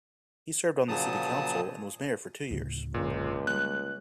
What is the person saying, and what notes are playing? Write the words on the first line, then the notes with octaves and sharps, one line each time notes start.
He served on the city council and was mayor for two years.
A#2 C#3 F3 F#3 A5 D#6
D2 A2 C#3
G#1 C#2 F#2 A#2 D3
G3 A#3 F#6